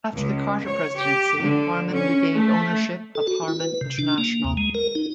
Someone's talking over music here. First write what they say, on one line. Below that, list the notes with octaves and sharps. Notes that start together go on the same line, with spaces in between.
After the Carter presidency, Harman regained ownership of Harman International.
C#2
C#5
G4
D3
C#4
A3
A4
F#4
E4
B4
C3
D4
A#3
D#2
G#3
A#4
D#4